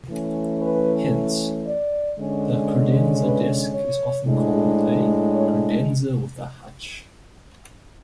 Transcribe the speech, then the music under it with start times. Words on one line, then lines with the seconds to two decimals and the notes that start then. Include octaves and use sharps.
Hence, the credenza desk is often called a "credenza with hutch".
0.10 E3 A3 C#4
0.61 B4
1.67 D5
2.19 D3 G#3 C#4
3.23 B4
3.75 C#5
4.28 A2 G#3 D4
5.32 C#5